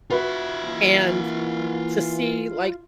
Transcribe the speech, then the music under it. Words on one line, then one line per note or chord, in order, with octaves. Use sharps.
and you to see, like,
F4 F#4 B4 E5
E3 A#3